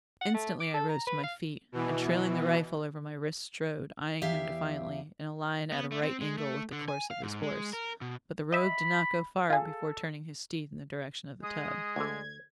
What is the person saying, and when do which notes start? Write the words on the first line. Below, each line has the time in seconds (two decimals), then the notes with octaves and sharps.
Instantly I rose to my feet, and trailing the rifle over my wrist strode, eyeing him defiantly, in a line at a right angle with the course of his horse, but the rogue did not go far before turning his steed in the direction of the tub.
0.21 F#5
0.34 A3
0.60 D6
0.74 A4
0.89 A#5
1.07 B4
1.23 F5
1.72 B2 E3
4.22 E2 G4 E5 F5
5.72 B3
5.92 A3
6.03 C4
6.21 G#3
6.38 A3
6.72 D3
6.88 G#5
7.11 F5
7.23 G#2
7.43 G#3
7.73 A#4
8.01 B2
8.52 D#5 E5 B5
9.50 F4 G#4 A4
11.43 G#3 D#6
11.96 D2 D3 G#6